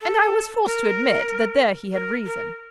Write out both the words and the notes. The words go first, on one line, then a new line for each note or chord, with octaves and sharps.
And I was forced to admit that there he had reason.
A4
A#4
A#4
A#4